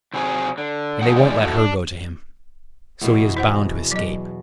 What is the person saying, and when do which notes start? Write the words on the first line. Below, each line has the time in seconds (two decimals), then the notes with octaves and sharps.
And they won't let her go to him, so he is bound to escape.
0.13 C3 F#3 G#4
0.58 D3
1.02 C#3 F3 A3 G#4 F#5
1.15 E2 D#3 G#3 D5
1.42 E4 F#4 A4
1.56 D4
3.01 E2 B2
3.37 E4 C5 F#5
3.92 F#3 D#5